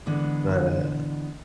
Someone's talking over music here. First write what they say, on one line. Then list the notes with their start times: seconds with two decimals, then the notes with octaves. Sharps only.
But, uh,
0.06 D3 E3 G#3 B3